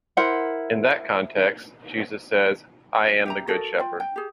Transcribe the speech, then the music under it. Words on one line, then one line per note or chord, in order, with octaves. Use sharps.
In that context, Jesus says, I am the good shepherd.
E4 A#4 C5 F#5
G4 E5 A#5
F#4 A4 A#4 D#5
F4 G5
G5
G4 G#4